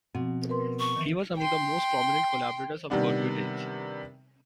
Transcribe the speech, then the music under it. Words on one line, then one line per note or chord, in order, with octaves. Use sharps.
He was among the most prominent collaborators of Gheorghiu-Dej.
B2 F3 C4
A#4 B4 C6
C#6
D#3 E3
G5 C6
C3 D#3 G3 B3 D4